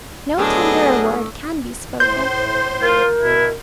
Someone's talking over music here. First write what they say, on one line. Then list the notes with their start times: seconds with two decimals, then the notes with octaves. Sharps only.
No tenderer word can be spoken.
0.38 A2 F#3 B3 D4 G#4 D#5
2.00 A2 C5 C6 G6
2.82 F4 A#4
3.20 B2 E4